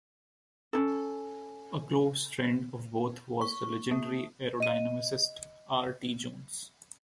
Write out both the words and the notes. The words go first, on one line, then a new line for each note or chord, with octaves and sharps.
A close friend of both was the legendary aerodynamicist, R. T. Jones.
C#4 D#4 A4
C#6
A#3
D#5 D#7